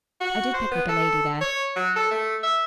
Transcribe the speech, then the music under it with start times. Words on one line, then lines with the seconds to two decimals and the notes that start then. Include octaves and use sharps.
I did pick up a lady there.
0.21 F#4
0.54 C5
0.72 B3
0.89 A4
1.41 C#5
1.76 F#3
1.96 A4
2.11 A3
2.43 E5